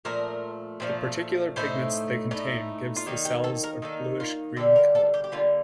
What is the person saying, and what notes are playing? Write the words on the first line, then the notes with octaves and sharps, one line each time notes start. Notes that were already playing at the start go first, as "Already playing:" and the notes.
The particular pigments they contain gives the cells a bluish-green color.
A#2 F3 A3 A#4
A#2 F3 A3
A2 A3 D#4 C5
A2 A3 D#4
F4
D#3 A#3 D#4 G4
G4
A4
A#4
D#3 A#3 D#4 A4
F4
D3 G3 A#3 A4
A#4
A4
G4
G4
D3 G3 A#3 F4